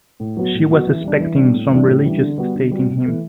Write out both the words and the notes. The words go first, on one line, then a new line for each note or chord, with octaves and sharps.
She was expecting some religious state in him.
A2
F#3 B3 F#4
A2
F#3 B3 F#4
E3
G3 D4
E3
G3 D4
A2
E3 G3 D4
A2
E3 G3 D4
D3
G3 B3 F#4
D3
G3 B3 F#4
C3
E3 A3